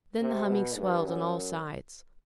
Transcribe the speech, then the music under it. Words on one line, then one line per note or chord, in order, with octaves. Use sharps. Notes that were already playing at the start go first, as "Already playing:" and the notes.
Then the humming swelled on all sides.
C3
B2
G2
F#2